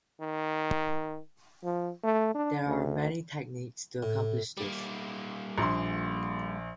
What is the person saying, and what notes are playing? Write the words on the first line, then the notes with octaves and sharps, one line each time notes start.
There are many techniques to accomplish this.
D#3
F3
A3
D4
D2
A2
G3 A#3
A#1 C6